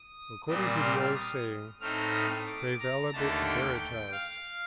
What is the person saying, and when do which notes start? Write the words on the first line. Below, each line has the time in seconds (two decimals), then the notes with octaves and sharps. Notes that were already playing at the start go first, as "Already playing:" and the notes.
According to the old saying, Praevalebit Veritas.
Already playing: D#6
0.48 A#2 G3 C4 D#6
0.81 F6
1.14 D#6
1.80 A2 A3 C4 D#4 F6
2.13 D#6
2.46 D6
2.79 A#5
3.13 D#2 D3 A3 D#4 A5
3.46 G5
3.79 G5
4.12 F5